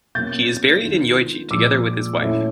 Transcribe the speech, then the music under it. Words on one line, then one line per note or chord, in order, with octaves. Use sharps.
He is buried in Yoichi together with his wife.
B2 F#3 A#3 C#4 G6 A6
D#3 G#3 B3 D4 F4
A#2 F3 G#3 D6 E6
A#2 F#3 A3 C#4 E4